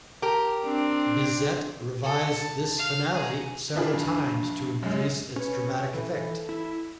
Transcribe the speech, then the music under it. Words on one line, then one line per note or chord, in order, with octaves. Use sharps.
Bizet revised this finale several times to increase its dramatic effect.
G4 A#4
C4 D4
A4
A5
F5
G#4 A#5
B3 D4 E4 F4 G#4
A#1 G2
F#2 G#3
C#4 B4
E3 A4
E4